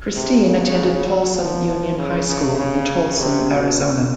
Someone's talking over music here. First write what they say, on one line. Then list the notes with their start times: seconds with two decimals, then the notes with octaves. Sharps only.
Christine attended Tolleson Union High School in Tolleson, Arizona.
0.15 C3
0.45 C#3
1.05 F#3
1.36 F3
1.66 F3
1.97 C#3
2.28 C#3
2.58 C#3
3.19 C3
3.50 B2
3.79 A#2